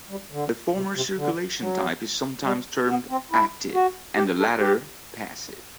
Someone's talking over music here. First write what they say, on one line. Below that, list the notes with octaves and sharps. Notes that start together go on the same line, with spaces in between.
The former circulation type is sometimes termed "active", and the latter "passive".
G3
D3
C3
C3
D3
F#3
G3
B3
C4
E4
F#4
G4
A4
G4